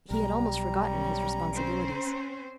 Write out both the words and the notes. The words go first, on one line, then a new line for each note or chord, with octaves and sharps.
He had almost forgotten his responsibilities.
B1 G3 A#5
C#4
C4 C#4 C5